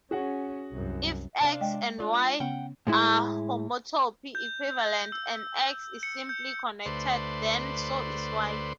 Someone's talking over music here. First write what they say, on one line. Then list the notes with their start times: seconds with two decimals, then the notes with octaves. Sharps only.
If "X" and "Y" are homotopy-equivalent and "X" is simply-connected, then so is "Y".
0.11 C#4 F#4 G#4 F#5
0.71 C2 F#2
1.41 C3 D4 F5
1.61 G#3 D#5 G5
1.99 D4 F4 D5
2.40 C#3 B3 C#4 F#5 G5
2.87 A2 G#3 E4
4.35 G6
5.12 E6
6.03 C#7
6.29 G6
6.86 D2 A3 B4 C5 D5 C6